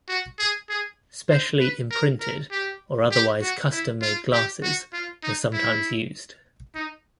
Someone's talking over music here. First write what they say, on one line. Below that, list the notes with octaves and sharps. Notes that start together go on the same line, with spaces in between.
Specially imprinted or otherwise custom-made glasses were sometimes used.
F#4
G#4
G#4
C5
B4
A#4
A#4
G4
G4
F#4
E4
F4
G4
F#4
F4
D#4
E4
D#4